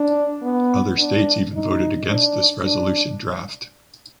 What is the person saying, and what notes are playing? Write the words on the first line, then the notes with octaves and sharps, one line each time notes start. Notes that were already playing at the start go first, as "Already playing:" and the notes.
Other states even voted against this resolution draft.
Already playing: D4
B3
D4
D#4
D4
D4